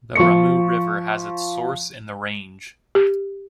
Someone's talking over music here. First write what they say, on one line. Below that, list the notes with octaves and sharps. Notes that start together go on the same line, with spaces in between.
The Ramu River has its source in the range.
F3 C#6 C#7
G4